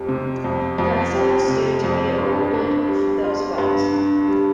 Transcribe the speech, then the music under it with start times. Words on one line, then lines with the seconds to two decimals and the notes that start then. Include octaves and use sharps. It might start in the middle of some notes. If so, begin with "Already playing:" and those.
Grasso has sued to be awarded those funds.
Already playing: F2 G3
0.09 C3
0.44 F2
0.78 F2
1.13 G3
1.48 C3
1.84 F2
2.18 G2
2.54 D4
2.88 G3
3.23 F4
3.58 G2
3.93 D4
4.27 G3